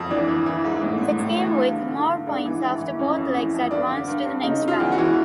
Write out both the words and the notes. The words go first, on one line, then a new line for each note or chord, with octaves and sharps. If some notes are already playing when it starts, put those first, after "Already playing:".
The team with more points after both legs advanced to the next round.
Already playing: F2
E3 D4
E3
E3
G#2
A2
A2
A2
E3
G2
D3
D3
D3
G#2 D4
E3
E3
E3
F2 C#4
F2
E3
F2
G2 D4
D3
G2
G2
C#3 D#4
C#3
F4
E2
F#4
E3